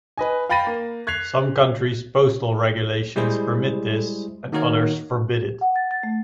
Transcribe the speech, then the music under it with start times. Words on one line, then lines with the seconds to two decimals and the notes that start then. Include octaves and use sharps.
Some countries' postal regulations permit this and others forbid it.
0.17 B4 D#5 G#5
0.49 F5 G5 B5 A6 A#6 D#7
0.67 A#3
1.07 F#6 G#6 B6 C7 F7
3.16 G3 G#3 E4 G#4 C5
4.52 D#3 A#3 D#4 F#4 A#4 C#5
5.61 F#5
5.76 A6
5.91 A6
6.03 A3